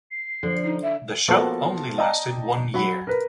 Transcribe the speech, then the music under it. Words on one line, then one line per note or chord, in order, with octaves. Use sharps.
The show only lasted one year.
C7
D3 F3
D#4
E5
F3 A#3 B3 F#4 A4 C5
D5 D#5 G5 A5 A#5
F#3 F#5 B5
A#4 B4